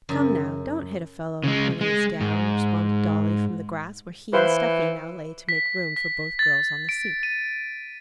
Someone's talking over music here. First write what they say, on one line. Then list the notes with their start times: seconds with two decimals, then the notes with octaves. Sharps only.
'Come now, don't hit a fellow when he is down,' responded Dolly from the grass where he and Stuffy now lay to make room for both girls on the seat.
0.09 F#2 C#3
1.44 C#3 G#3
1.81 G#3
2.21 G#2
4.33 E3 B4 C5 F5
5.49 B6
5.96 B6
6.39 A6
6.89 D7
7.23 D#7